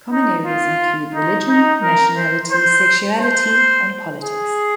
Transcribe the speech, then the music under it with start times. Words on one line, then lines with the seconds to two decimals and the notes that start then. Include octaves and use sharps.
Common areas include religion, nationality, sexuality, and politics.
0.12 D#4
0.46 F4
1.14 D#4
1.49 D#4
1.83 A#4
2.17 C5
2.51 C5
3.20 C5
4.22 G#4